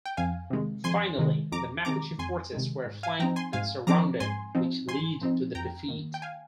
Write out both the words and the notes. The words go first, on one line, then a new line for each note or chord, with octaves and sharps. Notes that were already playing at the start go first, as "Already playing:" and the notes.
Finally, the Mapuche forces were flanked and surrounded, which lead to their defeat.
G5
F2 F5 G#5
C3 D#3 G#3
F2 G#5 C6
C3 D#3 G#3
F2 A#5 D6
C3 D#3 G#3 A#5 D6
F2 G#5 C6
C3 D#3 G#3
G#2
F5 G#5
F3 C4 D#4 G5 A#5
G#5 C6
G#2 F5 G#5
F3 C4 D#4 A#5 D6
G#2 G#5 C6
F3 C4 D#4
G#2 G#5 C6
F3 C4 D#4
F2 G5 A#5
D#3 A#3
G5
F5 G#5